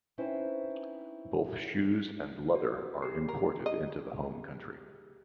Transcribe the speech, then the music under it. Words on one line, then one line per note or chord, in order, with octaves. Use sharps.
Both shoes and leather are imported into the home country.
C4 C#4 D#4 E4 B4 C5
F#4
G4 G#4 C7
A#4
D#5